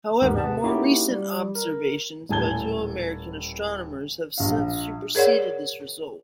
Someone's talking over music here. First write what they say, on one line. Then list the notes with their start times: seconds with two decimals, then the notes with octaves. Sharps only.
However more recent observations by two American astronomers have since superseded this result.
0.21 A1 D#2 G#2 B3 G4 A#4
0.37 C3 B3 A5
0.64 A#3 C#4 D#4 E4 F#4 G4
1.09 G3
1.55 A#4
2.29 D#1 A2 G#5 A5 G#6 G7
4.38 A#1 F5
5.15 G#4 A#4 C#5 D5 F#5